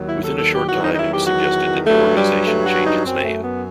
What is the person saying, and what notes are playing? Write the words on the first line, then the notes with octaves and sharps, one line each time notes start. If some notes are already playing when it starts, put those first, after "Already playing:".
Within a short time it was suggested that the organization change its name.
Already playing: D#2 D#3 F#3
E4
A4
A4
G4
E2 D#3 F#3 F#4
D#4
D#4
E4
G4
F#4
G2 F#3 A3
G3
A3
F#4
D#4
F#2 F#3 C4
A3
B3